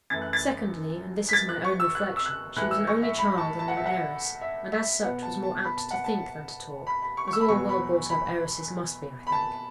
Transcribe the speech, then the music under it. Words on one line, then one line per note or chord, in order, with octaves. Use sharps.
Secondly,--and this is my own reflection,--she was an only child and an heiress; and as such was more apt to think than to talk, as all well-brought-up heiresses must be. I think.
F#2 E3 A3 A6
F#6
A6
B6
A6
F#6
C#6
E6
F#6
E6
F#6
A2 E3 A3 F#6
E6
C#6
E5
B5
A5
A5
F#5
E5
F#5
E5
E5
B2 B3 F#5
A5
A5
B5
A5
F#5
A5
B5
B5
C#6
C#6
E6
B5
E2 B2 F#3 B3 C#6
B5
B5
B5
A5